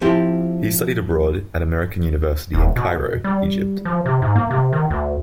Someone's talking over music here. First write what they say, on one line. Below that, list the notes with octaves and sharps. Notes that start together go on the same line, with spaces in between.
He studied abroad at American University in Cairo, Egypt.
F3 C4 E4 G4 A5
E1
B2
G3
F3
C3
G#2
A#3
C3
D#3
D2